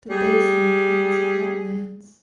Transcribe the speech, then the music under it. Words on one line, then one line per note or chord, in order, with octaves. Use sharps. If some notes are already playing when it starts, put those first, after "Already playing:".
The basin includes of wetlands.
G3 G#4